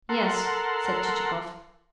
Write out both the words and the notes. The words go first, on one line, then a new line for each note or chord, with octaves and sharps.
"Yes," said Chichikov.
A4 A#4 F#5 C6